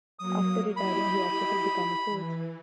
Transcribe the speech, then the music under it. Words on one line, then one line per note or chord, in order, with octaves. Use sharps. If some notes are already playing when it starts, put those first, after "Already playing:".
After retiring, he opted to become a coach.
F#3 A#3 D#6
E4 G4 D#5 B5
E3